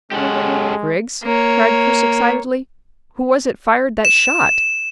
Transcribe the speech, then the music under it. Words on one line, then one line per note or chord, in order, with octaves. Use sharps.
"Griggs," cried Chris excitedly, "who was it fired that shot?"
G#3 C#4 G4 A4 F#5
A#3 C#5
E7